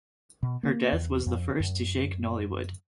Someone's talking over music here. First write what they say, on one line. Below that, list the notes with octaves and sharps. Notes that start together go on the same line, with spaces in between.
Her death was the first to shake Nollywood.
B2
A#3
E2
F2
F#2